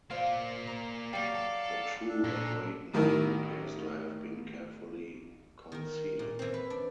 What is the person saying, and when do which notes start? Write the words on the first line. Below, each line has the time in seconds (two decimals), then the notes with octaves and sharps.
The true or great name appears to have been carefully concealed.
0.11 A#3 F4 C5 D5
0.67 A#5
1.13 F#3 G3 D5 D#5 F5 G5
1.34 A4
2.08 D4 A4
2.24 A#2 A3
2.93 A1 D#3 E4 A#4
5.72 D#3 A#4
6.19 A#2
6.39 E3 C4
6.54 B4
6.70 D4